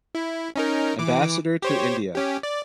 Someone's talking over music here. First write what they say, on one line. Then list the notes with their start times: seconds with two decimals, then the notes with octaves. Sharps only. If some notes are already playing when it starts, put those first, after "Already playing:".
Ambassador to India.
0.15 E4
0.56 C#4 D#4 A#4
0.99 E3 D6
1.62 G4 C5 C#5
2.15 C#4 G4
2.43 D5